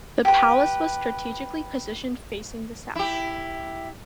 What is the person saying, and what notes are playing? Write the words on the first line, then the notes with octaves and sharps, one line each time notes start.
The palace was strategically positioned facing the south.
G4 B4
E4 G4